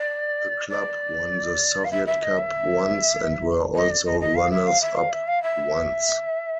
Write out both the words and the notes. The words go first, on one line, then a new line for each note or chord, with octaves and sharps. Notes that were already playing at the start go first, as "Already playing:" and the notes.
The club won the Soviet Cup once, and were also runners-up once.
Already playing: D5
D5
F5
E5
E5
D#5
E5
D#5
D5
D#5
D#5
F5
E5
F5
E5
F5
E5
F5
E5